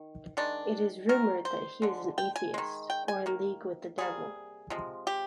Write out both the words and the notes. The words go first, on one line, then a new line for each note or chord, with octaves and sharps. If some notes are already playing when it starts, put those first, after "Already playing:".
It is rumored that he is an atheist or in league with the Devil.
Already playing: D#3
D#3 G#3 D4
D#3 G3 A#3 A#4
C5
D3 G#3
G5
G#5
D#3 G#3
G5
G#5
D#3 A#3
C3 G3 A#3 G#4
C3 F3 G#3
G4